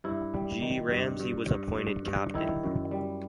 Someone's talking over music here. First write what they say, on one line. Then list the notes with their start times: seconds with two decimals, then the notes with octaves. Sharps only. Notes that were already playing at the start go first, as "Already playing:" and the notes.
G. Ramsay was appointed captain.
0.04 G2 E4
0.34 G3
0.62 D#3
0.91 G2
1.20 G2
1.48 G2
1.78 G2
2.06 G2
2.34 D#3 E4
2.63 F#2
2.91 G3